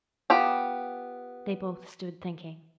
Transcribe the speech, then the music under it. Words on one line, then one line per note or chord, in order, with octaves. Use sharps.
They both stood thinking.
B3 F4 G4 A5